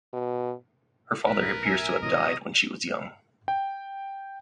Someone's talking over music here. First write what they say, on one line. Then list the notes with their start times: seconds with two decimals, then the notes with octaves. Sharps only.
Her father appears to have died when she was young.
0.13 B2
1.27 B1 A2 A#4 B4
1.66 E5 G#5
2.03 A2 C3 E3 F#3 D#5
3.48 G5